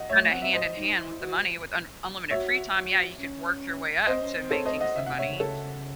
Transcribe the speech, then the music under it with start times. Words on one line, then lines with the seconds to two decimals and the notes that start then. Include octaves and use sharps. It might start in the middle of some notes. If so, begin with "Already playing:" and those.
kinda hand-in-hand with the money, with un r unlimited free time. Yeah, you could work your way up to making some money,
Already playing: D#5 F#5
0.09 A3 C#5 E5
0.21 A3
0.31 C4 F#5
0.42 C4 E5
0.54 C5 D#5
0.76 D#4
0.98 E4
1.20 F#4
2.30 F#4 C#5 E5
2.74 F#4
3.19 C#4
4.07 C4 C5 D#5
4.21 C#4
4.36 C4
4.51 A4 C#5
4.66 C5 D#5
4.81 D#5 F#5
4.95 C#3 E5
5.06 C3 F#5
5.17 C3 C#5 E5
5.28 C#3
5.40 C#3 A4 C#5